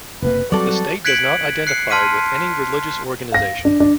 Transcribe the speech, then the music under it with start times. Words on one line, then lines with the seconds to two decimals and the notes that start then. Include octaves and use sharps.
The state does not identify with any religious organization.
0.22 F#1 C3 A#3 B4
0.52 F#3 G3 C4 F#4 A4 D5
1.05 F#6 G#6 B6 C#7 D7 F#7
1.67 F#6 C7 C#7
1.90 A5 C6 F6 B6 D#7
3.32 F5 A#6
3.65 D4
3.80 D4